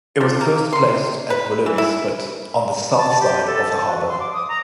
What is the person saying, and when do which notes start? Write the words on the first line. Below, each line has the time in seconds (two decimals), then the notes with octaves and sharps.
It was first placed at Willoughby Spit, on the south side of the harbor.
0.21 F3
0.41 A#3
0.72 C6
0.88 C3
1.30 B4
1.66 E3
1.78 E4
2.97 A5
3.20 G4
3.46 A4
3.67 A5
3.86 F#4
4.07 C6
4.20 D6
4.33 D#6
4.48 A#5